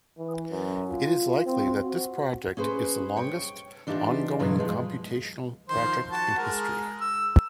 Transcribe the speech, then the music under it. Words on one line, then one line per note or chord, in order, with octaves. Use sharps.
It is likely that this project is the longest, ongoing computational project in history.
E3
F#2
F4
C4
F#4
C#4 G#4 B4 C5
C#5 G5
E3 D4 D#4 F4 G4
G2 B2 E3 F#3 F4
F3 G#3
D#3 F3 C5
F#4 A5
G#3 A#4
E6